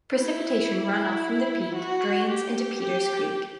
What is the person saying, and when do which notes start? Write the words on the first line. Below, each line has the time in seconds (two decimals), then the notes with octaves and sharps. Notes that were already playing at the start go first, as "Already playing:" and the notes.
Precipitation runoff from the peak drains into Peters Creek.
0.17 E4
1.75 F#4
2.27 G4
2.80 G4